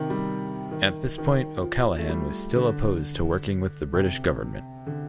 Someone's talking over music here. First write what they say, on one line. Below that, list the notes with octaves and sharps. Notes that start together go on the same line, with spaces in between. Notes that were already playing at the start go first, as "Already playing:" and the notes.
At this point O'Callaghan was still opposed to working with the British Government.
Already playing: C3 D#3
G3
D#3
D#3
F3
A3
G3
D3
C3
D3